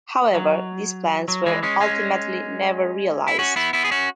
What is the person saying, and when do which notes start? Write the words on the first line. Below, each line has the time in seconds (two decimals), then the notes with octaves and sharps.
However, these plans were ultimately never realised.
0.34 F#3
1.28 F#3
1.46 E3 G#3
1.63 G#3 C#4
1.80 G#3 C#4
3.28 E4
3.39 C#4 F#4
3.56 B3 E4
3.73 B3 E4
3.85 G#4
3.91 C#4 F#4